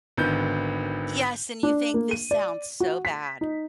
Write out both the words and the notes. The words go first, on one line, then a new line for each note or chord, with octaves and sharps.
Yes, and you think "This sounds so bad."
G#1 D3 D#3 B3 G6
D4
A#3
D#7
D5
F#4
B6
D#4